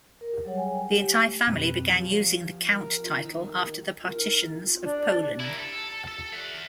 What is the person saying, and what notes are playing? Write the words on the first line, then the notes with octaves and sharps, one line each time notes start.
The entire family began using the Count title after the partitions of Poland.
A#4
F#3 G3 G#4 C#5 F#5
G5 G#5
G4
A3
F2 B2 C4 B4
F3 G4 C#5
A#4
D#3
A#4
D4
A#3 E4
A4
A4
E5 F#5